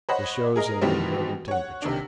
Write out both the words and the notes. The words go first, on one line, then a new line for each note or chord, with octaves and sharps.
This shows an inverted temperature.
C5 C#5 D#5 F#5 B5
G#4 A#4 D#5
B2 D#3 E3 G3 A3 C4
C#5 F#5
C3 D#3 D4